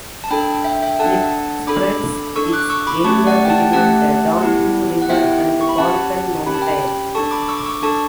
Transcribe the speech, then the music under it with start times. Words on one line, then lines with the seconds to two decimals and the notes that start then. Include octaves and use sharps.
It spreads its area between the Danube river and Balkan mountain.
0.24 A5
0.31 D4 A4 G5 B5
0.64 E5 G5
0.82 E5 G5
0.99 D4 A4 F#5 A5
1.67 D4 A4 B5 D6
2.36 D4 A4 C#6 E6
2.53 D6 F#6
2.70 C#6 E6
2.87 B5 D6
3.04 A3 C#4 G4 A5 C#6
3.27 D5 F#5
3.45 G5
3.50 F#5 A5
3.72 A3 C#4 G4 F#5 A5
4.41 B3 E4 G4
5.02 F#5
5.09 B3 E4 G4 E5 G5
5.61 C#6
5.69 B5
5.78 C#4 G4 F#5 A5
6.46 C#4 G4 B5
6.54 A5
6.62 G5 B5
7.15 D4 A4 A5 C#6
7.31 B5 D6
7.49 C#6 E6
7.58 D6
7.66 C#6 E6
7.83 D4 A4 A5 C#6